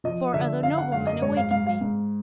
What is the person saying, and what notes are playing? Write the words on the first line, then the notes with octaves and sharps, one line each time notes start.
Four other noblemen awaited me.
F3 D#5
D3 E5
D3 F5
F#5
F#2 F5
D#5
G#2 C#5
F5
G#2 F5
F5
G#2